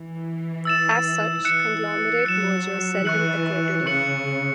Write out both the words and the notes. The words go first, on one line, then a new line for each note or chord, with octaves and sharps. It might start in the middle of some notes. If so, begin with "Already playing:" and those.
As such, conglomerate mergers seldom occur today.
Already playing: E3
E6 A6 E7
E3 F#6 C#7 E7
F#3 F#6 C#7 E7
E3 C#6 F#6 C#7 F#7
C#3 C#6 F#6 C#7 F#7